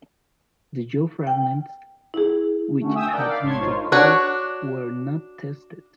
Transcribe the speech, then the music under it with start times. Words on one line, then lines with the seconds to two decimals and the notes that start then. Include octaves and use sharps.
The jaw fragments which had been recovered were not tested.
1.27 G5
2.14 E4 G#4
2.79 D3 A3 C#4 F#4
2.94 E5 G5 G#5 D#6 E6
3.12 D#4 A#4 D5 F#5 G5 A5
3.27 D5 F5 B5
3.43 G#1 D4 C#5 A5 C6 G#6
3.59 D#4 F4 A#4 C5 C#5
3.92 D4 F#4 C#5